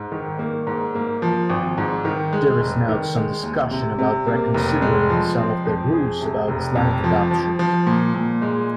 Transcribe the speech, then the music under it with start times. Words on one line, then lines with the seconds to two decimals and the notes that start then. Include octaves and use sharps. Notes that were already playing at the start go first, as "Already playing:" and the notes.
There is now some discussion about reconsidering some of the rules about Islamic adoptions.
Already playing: G#2
0.12 D#3
0.39 A#3
0.67 G#2
0.95 A#3
1.22 F3
1.50 G#1
1.78 G#2
2.05 D#3
2.33 G#3
2.60 F1
2.89 D#3
3.16 G#3
3.43 D#2
3.71 C3
3.99 C3
4.27 A#3
4.54 F1
4.82 G#3
5.10 F3
5.38 C4
5.65 F2
5.93 G#4
6.21 C3
6.48 F1
6.76 F2
7.04 F3
7.31 F3
7.59 F3
7.87 A#2
8.14 A#2
8.42 G#3